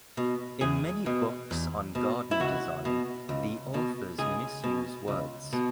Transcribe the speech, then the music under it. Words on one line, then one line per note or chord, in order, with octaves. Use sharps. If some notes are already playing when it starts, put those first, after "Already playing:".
In many books on garden design the authors misuse words.
B2
E2 G#4
B2
E2
B2
E4
C#2 F#4
B2
C#2
B2
C#2 G#4
B2
C#2
B2